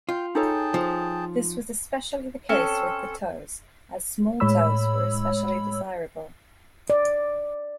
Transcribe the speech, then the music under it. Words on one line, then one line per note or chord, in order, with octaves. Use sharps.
This was especially the case with the toes, as small toes were especially desirable.
F4 G5
D#4 G#4 A4 C#5 G5 A5
F3
C4 C#4 A4
A2 G#3 C#5 B5 E6
D5